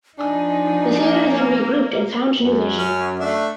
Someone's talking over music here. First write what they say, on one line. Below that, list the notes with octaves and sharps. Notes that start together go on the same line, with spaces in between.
The theater then regrouped and found new vision.
F3 D4 D#4 G#5
A#3
F#2
C#4
A3 D4 E5